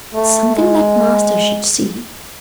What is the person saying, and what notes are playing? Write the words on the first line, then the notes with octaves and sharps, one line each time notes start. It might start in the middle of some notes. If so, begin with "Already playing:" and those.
"It's something that master should see."
A3
G#3